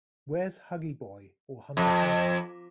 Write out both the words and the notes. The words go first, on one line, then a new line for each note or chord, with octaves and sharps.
Where's Huggy Boy or Hunter Hancock?
F2